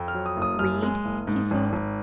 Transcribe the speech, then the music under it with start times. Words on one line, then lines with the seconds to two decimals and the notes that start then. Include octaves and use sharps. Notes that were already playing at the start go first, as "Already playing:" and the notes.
"Read?" he said.
Already playing: F2
0.08 F6
0.14 F#3
0.26 D#6
0.37 F#1
0.42 D#6
0.59 F#2 F6
0.82 G#3
1.05 F#1
1.27 G#2
1.51 G#1
1.73 G#1